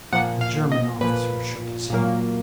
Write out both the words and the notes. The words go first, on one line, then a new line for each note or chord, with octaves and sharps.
The German officer shook his head.
A#2 F3 A#3 F#5
F5
D#5
A#2 F3 A#3 B4
A#2 F#3 A#3